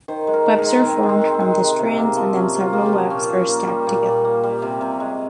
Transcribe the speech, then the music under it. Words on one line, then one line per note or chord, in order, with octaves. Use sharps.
Webs are formed from the strands and then several webs are stacked together.
D#3 C5
G#3
A#4
D#3 A#4
G#4
G#3
D#3 C4
G#3
C4
D#3
C4
G#3
C3
C3
A#3
F3
C3 C#4
C3
F4
A#3
G4
F3
A#2 C#4
A#2
A#3
G3
A#2
A#2
A#3
G3
C3
C3
G#3